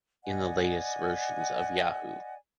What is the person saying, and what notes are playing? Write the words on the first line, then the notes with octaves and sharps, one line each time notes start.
In the latest versions of Yahoo!
D5 D#5 F#5 G#5